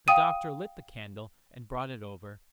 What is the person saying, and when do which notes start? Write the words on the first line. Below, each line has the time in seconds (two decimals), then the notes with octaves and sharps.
The doctor lit the candle and brought it over.
0.08 F5 G5 D#6 D#7